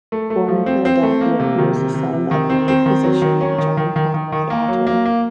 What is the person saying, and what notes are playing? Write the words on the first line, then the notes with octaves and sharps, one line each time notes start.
Born in Philadelphia, he was the son of noted physician John Conrad Otto.
A3
A3
F3
C4
C4
A3
A#3
C3
D#3
C3
C3
C3
D#3
C4
C4
D#3
F#3
D#3
C#4
D#3
D#3
D#3
D#3
D#3
A#3
F#3
A#3
A#3